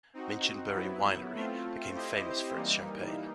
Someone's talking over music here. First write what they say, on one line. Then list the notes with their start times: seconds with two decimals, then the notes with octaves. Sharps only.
Minchinbury Winery became famous for its champagne.
0.13 C4 D#4 F#4
0.74 F#3 B3 E4
1.34 A3 C4 F4
1.94 C4 E4 G4 C5 D#5
2.54 E3 G3 A#3 D#4